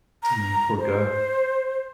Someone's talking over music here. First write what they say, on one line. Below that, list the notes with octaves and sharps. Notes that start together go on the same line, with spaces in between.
No, poor guy.
A#5
C5